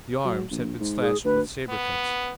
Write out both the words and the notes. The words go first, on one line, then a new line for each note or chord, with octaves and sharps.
The arms had been slashed with sabre cuts.
F#3
A#1
G#2
G#4
D2 B4
B3